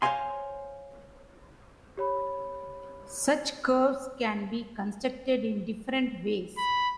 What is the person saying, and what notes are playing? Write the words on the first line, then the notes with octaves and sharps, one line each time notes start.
Such curves can be constructed in different ways.
C5 C#5 E5 F5 G#5 C6
G4 C#5 B5
B5